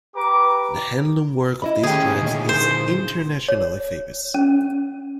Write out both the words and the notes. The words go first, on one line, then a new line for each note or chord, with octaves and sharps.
The hand-loom work of these tribes is internationally famous.
G4 B4 A#5 D6
E4 D#5 B5
D#2 A3 C#4 G4 G#4
A#2 D3 D#4 E4
C5
C#5
C#4